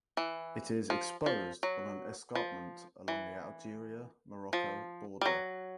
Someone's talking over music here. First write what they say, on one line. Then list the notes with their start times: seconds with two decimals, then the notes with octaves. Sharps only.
It is exposed on an escarpment along the Algeria–Morocco border.
0.17 E3
0.90 F3
1.26 F3
1.63 F#3
2.35 F3
3.08 E3
4.53 F3
5.21 G3
5.26 F#3